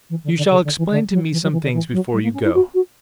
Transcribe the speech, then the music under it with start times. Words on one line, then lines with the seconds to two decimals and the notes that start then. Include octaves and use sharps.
"You shall explain to me some things before you go."
0.10 E3
0.24 D3
0.37 D3
0.50 C#3
0.64 D3
0.78 E3
0.91 D3
1.12 F#3
1.32 E3
1.42 F#3
1.52 E3
1.63 D3
1.73 E3
1.93 F#3
2.13 G3
2.23 A#3
2.34 C#4
2.44 E4
2.54 F#4
2.74 F#4